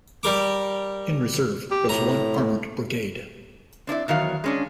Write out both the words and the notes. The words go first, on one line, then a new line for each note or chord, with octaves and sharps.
In reserve was one armored brigade.
G3 A#4 D6
G4
A2 A#5
C4 D4 E4 D5
E2 D#3 F#3 F5
G#3 C#4 D4